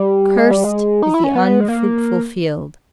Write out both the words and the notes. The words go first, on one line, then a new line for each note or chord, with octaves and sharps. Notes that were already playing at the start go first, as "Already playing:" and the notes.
"Cursed is the unfruitful field!"
Already playing: G3
G#3
G3
G#3
D#4
E4
C#4
B3
G#3
A#3